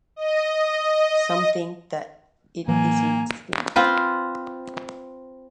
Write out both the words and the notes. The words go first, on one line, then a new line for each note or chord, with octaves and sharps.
Some think that it is extinct.
D#5
A2 E3 F#3 A#3 G#5
C4 F4 B4